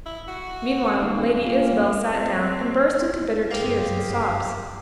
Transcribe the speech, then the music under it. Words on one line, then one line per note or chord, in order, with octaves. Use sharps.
Meanwhile, Lady Isabel sat down and burst into bitter tears and sobs.
E4
F#4
D#2 A#3
D#1
A#2
C4
F#1 G2 A#3 G4 G#4 C5 F5